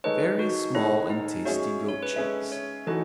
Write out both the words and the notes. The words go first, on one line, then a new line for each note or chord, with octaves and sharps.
Very small and tasty goat cheese.
D#3 G#3 D#4 A4 B4 C#5
F#4
D#3 G#3 D#4 E4 A4 C#5
D#4
G#3 C#4 F#4 G#4 C#5 E5
C#5
B4
G#3 C#4 G#4 A4 C#5 E5
C#5
E3 A3 D#4 F#4 D#5